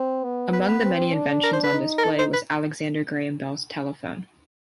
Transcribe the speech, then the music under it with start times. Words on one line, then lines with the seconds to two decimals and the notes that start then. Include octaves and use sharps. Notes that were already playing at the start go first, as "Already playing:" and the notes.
Among the many inventions on display was Alexander Graham Bell's telephone.
Already playing: C4
0.24 B3
0.53 B4
0.68 B4
0.84 C4
1.13 D4
1.43 A#4
1.53 C5
1.64 B4
1.73 D#4
1.98 A#4
2.04 A4
2.19 C5
2.33 B4